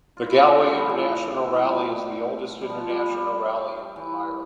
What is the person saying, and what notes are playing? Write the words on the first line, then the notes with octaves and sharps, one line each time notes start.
The Galway International Rally is the oldest International rally in Ireland.
F4
E4
D4
C4
A3
G3
F3
E3
E3
F3
G3
A3
G3
G3
F3
G3
G3
E3